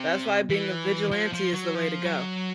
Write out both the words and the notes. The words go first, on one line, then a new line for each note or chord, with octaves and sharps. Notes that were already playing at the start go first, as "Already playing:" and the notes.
That's why being a vigilante is the way to go.
Already playing: C3
E3
F3
F3
F#3
F3
F#3